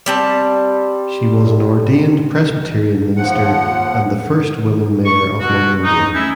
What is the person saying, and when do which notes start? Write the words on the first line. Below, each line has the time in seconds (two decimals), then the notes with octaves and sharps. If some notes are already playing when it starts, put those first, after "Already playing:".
She was an ordained Presbyterian minister and the first woman mayor of Monrovia.
0.06 G3 C4 A5
3.17 D#2 F3 F#5
5.05 C#6
5.41 B2 B3 F#4
5.84 D#4
6.15 A3 C#4 D#4 E4